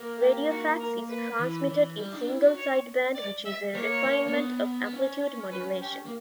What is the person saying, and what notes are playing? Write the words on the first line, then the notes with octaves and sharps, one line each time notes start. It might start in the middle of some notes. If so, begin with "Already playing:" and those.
Radiofax is transmitted in single sideband which is a refinement of amplitude modulation.
Already playing: A#3
G4
F#4
A#4
B4
E3
E3
G3
D4
E4
F#4
C#5
D5
E5
A#3 C#5
A#3
A#3
B3
B3
C#4
B4
G4
A#3